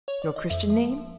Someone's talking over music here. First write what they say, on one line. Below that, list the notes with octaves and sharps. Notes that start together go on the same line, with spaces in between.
"Your Christian name?"
C#5
D5
D#5
F2 E5
F3
F3